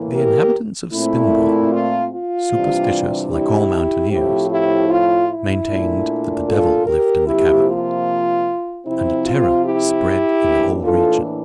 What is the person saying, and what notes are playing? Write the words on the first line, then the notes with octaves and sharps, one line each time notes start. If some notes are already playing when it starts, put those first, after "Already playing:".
But the inhabitants of Spinbronn, superstitious like all mountaineers, maintained that the devil lived in the cavern, and terror spread in the whole region.
Already playing: A2 E3 A#3
G4 A#4
A#2 A3 C4 E4
F4
F4
C3 E3 G3 D4
E4 G4
A2 F3 C4 E4 G4
E4 G4
F4
E4
A#2 A3 D4
F4 A4
G4 A#4
C3 F3 A#3 E4 G4
F4
C3 F3 C4 E4
F4
E4 G4
A2 E3 A#3 D4
F4 A4